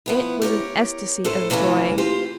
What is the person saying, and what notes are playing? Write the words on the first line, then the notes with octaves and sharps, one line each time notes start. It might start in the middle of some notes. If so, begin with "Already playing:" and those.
It was an ecstasy of joy!
F3 B3 E4
G4 A#4 C5 C#5
F#2 A2 A4 C5
C3 E3 A3 A#3 C#4
C4 F4 G4 C5